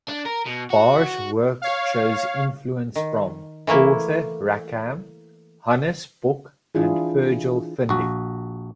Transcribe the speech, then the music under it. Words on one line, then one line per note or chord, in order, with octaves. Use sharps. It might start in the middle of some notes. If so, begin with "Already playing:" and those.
Barr's work shows influences from Arthur Rackham, Hannes Bok and Virgil Finlay.
D4
A#4
B2
F#4
C#5 F5
D#3
E3 A3 A#3 E4
E3 D4 E4 F4 G#4
A#1 F#4